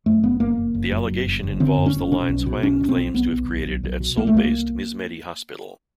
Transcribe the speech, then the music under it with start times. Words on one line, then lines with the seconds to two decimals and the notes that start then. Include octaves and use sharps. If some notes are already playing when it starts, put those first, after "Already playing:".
The allegation involves the lines Hwang claims to have created at Seoul-based MizMedi Hospital.
0.06 F#2 A3
0.23 F#1 B3
0.40 F#1 A#3
0.57 F#1
0.75 F#1
0.92 F#2
1.09 F#1
1.27 F#1
1.43 F#1
1.60 D3 C4
1.78 F#2
1.86 C#4
1.95 F#1
2.12 B2 C#4
2.29 B1
2.46 B2
2.63 B1 C#4
2.81 B2
2.89 C4
2.97 B1
3.14 B1 B3
3.32 B1
3.48 B1
3.65 B1
3.83 B1
4.00 B2
4.17 C2 A#3
4.27 A3
4.34 C2 A#3